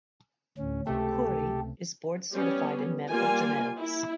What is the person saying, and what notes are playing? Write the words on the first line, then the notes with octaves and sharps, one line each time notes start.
Khoury is board certified in Medical Genetics.
D2 A2 C#4
C#2 C3 A3 G4 A4
G3 B3 C#4
G3 A#3 F4 G#5
E4